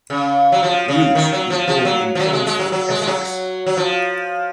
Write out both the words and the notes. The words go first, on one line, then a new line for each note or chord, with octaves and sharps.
Root was born in Chelmsford, Essex.
C#3
F#3
F3
C#3
D#3
F#3
F3
F3
F#3
F3
F#3
G#3
G#3
F#3
F#3
G#3
G#3
F#3
F#3
F3